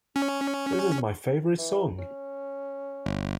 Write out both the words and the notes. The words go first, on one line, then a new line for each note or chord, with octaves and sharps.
This is my favorite song!
C#4
E3
C#4
G1